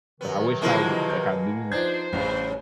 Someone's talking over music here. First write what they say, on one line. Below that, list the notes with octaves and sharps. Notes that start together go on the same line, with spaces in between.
So, I wish I would like, I knew
C3 D#3 F#3 B3
B2 D3 E3 F3 G#3 A#3
G6
F3 D4 D#4 C5 G#6
A1 G2 C#3 F5